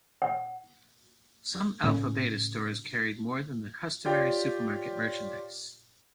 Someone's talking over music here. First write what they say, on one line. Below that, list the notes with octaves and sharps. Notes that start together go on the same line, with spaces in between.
Some Alpha Beta stores carried more than the customary supermarket merchandise.
F#5
A2 C#3 C#4
F4 G4 C#5 D5 G5 A6